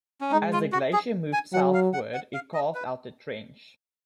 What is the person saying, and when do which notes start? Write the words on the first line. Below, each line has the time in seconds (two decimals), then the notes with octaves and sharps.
As the glacier moved southward it carved out the trench.
0.21 C#4
0.32 G#3 D#4
0.53 F4
0.72 F#4
0.93 G#4
1.33 G#5
1.53 F#3 F#5
1.74 F5
1.93 F#5
2.14 F#5
2.34 F5
2.54 D#5
2.74 B4